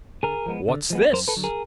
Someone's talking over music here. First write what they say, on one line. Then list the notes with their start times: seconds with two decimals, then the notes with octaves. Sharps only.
"What's this?"
0.23 D3 G#4 A#4
0.46 F3 G#3 B3
0.68 D3
0.90 F3 G#3 B3
1.13 F#2 A#4 C5
1.28 A4 B4
1.36 D3 F#3
1.44 G#4 A#4